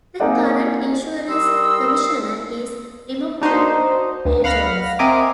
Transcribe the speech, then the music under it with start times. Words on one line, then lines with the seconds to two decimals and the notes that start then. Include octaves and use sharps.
The current Insurance Commissioner is Democrat Dave Jones.
0.20 A#3 C4 D#4 G#4 D5 F#5
1.29 G3 A#4 D#5 C6 E6
3.41 D4 D#4 F#4 C5
4.25 D2
4.44 F5 F#5 B5 F6 A#6 B6
4.99 C4 A#4 D#5 E5 G#5 D6